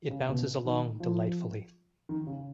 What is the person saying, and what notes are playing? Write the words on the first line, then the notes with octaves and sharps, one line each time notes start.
It bounces along delightfully.
C#3
B2
D#3
F3
D#3
C#3